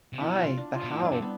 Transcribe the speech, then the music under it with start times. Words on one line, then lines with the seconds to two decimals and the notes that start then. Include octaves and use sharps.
Ay, but how?
0.13 C3
0.20 B2 E4
0.38 F4
0.57 D4
0.75 F4
0.84 B2
0.93 A2 E4
1.00 C4
1.05 D4
1.12 G2
1.22 B3